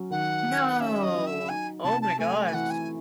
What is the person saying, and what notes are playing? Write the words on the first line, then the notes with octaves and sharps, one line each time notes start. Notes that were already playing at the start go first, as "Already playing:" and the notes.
No. Oh my gosh.
Already playing: F#3 C#4
D#3 F#5
D#3
C#4 E5
D#5
F#3
E5
D#4 G#5
C3 A5
A5
A3 G#5
G#5
E3 F#5
G#5